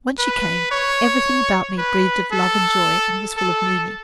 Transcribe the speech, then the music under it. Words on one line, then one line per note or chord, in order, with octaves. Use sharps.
When she came, everything about me breathed of love and joy and was full of meaning.
B4
C#5
B4
A4
A4